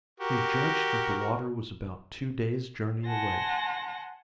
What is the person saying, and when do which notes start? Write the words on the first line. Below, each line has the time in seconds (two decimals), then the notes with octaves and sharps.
They judged that the water was about two days' journey away.
0.20 F#4 G4 A#4
3.06 F#5 G#5 A5 C6 A#6